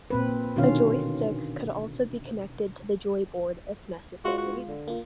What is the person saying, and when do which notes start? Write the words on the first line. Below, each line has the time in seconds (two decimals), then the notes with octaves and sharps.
A joystick could also be connected to the Joyboard if necessary.
0.10 A#2 C4 B4
0.56 B2 D3 D#3 C#4 F4 F5
4.25 G#3 F4 F#4
4.38 F#4
4.68 D3
4.88 A#3 F4